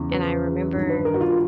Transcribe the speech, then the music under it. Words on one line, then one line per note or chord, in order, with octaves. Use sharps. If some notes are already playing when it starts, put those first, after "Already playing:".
and I remember,
Already playing: E2 C#3 E3
B4
G2 D#3
B4
A#4
F#4
F4